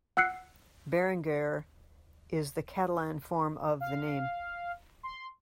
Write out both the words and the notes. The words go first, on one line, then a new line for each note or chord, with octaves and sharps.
Berenguer is the Catalan form of the name.
F#5 E6 F#6 C7 C#7
F5
C6